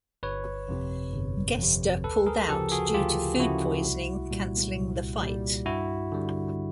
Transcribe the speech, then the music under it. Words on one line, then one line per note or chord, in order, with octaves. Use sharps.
Gesta pulled out due to food poisoning cancelling the fight.
G1 B4 C#5
F2 C3
G1
F2 C3
D2 A4 B4
G#4 A#4
C#3 F3 G4 A4
F#4 G#4
D2 F4 G4
C#3 F3 E4 F#4
C2
A#2 G3
C2
A#2 G3
G2 E4 F#4
D3 G3